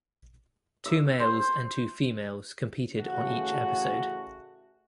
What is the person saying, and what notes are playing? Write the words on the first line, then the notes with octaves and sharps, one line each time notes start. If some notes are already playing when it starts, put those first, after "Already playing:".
Two males and two females competed on each episode.
E5
C5
A1 C#3 A3 F#4